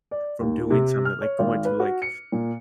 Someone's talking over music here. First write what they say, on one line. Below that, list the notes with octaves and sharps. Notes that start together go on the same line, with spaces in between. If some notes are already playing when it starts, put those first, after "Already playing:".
from doing something, like going to, like,
D5
D#2
C3
F6
C#5
G#1
B4
F#4
C#7
A#2